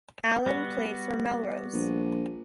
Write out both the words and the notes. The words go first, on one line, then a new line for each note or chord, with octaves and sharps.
Allan played for Melrose.
G3 B3 F#4
A#1